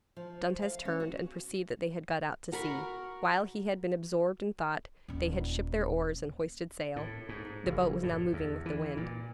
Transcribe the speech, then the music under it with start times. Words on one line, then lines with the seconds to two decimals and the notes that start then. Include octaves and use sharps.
Dantes turned and perceived that they had got out to sea. While he had been absorbed in thought, they had shipped their oars and hoisted sail; the boat was now moving with the wind.
0.17 F3
0.62 F5
0.85 C#4
1.00 F#4
2.52 F#4 A#4 B5 C#6
5.08 D#1 C#4
6.96 A2
7.29 G#2
7.66 F#1
8.03 A2
8.33 E2
8.66 E3
8.97 A#2